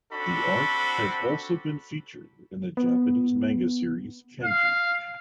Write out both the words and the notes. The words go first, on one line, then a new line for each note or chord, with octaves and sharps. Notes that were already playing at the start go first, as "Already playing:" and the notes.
The art has also been featured in the Japanese manga series Kenji.
C4 D4 F#4 A4 B5
B3
F5